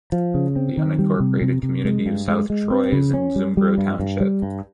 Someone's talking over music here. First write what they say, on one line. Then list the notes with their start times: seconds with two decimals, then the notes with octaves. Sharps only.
The unincorporated community of South Troy is in Zumbro Township.
0.12 F3
0.34 C#3
0.56 C4
0.77 D#3
0.99 G3
1.20 C3
1.42 C3
1.63 C3
1.85 G#3
2.06 G2
2.28 G#3
2.50 G#3
2.70 C4
2.92 C#3
3.14 C#4
3.36 G3
3.57 G3
3.78 G2
4.00 G2
4.21 G3
4.42 G2